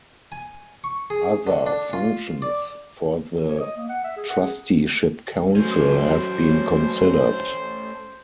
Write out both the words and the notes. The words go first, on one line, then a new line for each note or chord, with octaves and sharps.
Other functions for the Trusteeship Council have been considered.
G#5
C#6
G#4
D3
D4
F4
D5
E3
C#5
D#5
A#3
F#5
E5
G#4
F#5
G#4
F#3 A3 C#4 C5